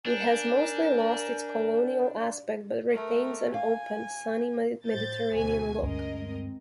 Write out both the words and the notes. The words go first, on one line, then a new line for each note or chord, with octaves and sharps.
It has mostly lost its colonial aspect, but retains an open, sunny Mediterranean look.
D4 A#4 G#5 G6
A3 A#4
F5 G#5
A2 C5 G6 A6
D2 B2 G#5
D2 G2 G#3 C#4 A#4 D#5
C4